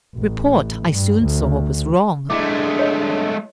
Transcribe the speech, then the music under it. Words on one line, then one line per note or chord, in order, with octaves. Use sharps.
Report, I soon saw, was wrong.
A1
G2
D2
G#3 A3 D4 E4 D6
C#5 D#5 B5